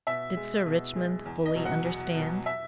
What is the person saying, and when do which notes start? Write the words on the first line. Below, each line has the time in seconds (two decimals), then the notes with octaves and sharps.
Did Sir Richmond fully understand?
0.07 B2 E5
0.37 G#3
0.66 B2
0.96 G#3
1.26 E2
1.46 D#5
1.55 B2 F#3
1.65 F#5
1.85 E2
2.15 B2 F#3
2.46 E5